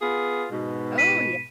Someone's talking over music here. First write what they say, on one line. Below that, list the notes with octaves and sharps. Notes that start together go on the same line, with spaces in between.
Oh, yeah.
B3 F4 G#4
G#2 B2
B6 D#7